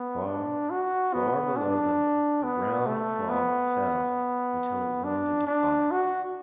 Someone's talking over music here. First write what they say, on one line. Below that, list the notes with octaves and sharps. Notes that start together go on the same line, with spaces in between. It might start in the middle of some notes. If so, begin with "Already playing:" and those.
And far, far below them the brown fog fell until it warmed into fire.
Already playing: B3
D4
F#4
B3
D4
B3
A3
B3
D4
D4
F#4